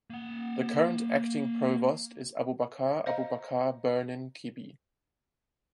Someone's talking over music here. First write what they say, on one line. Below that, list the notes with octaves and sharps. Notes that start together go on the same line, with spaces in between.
The current acting Provost is Abubakar Abubakar Birnin Kebbi.
A#3 F#5
C5 D#5 F5 A#5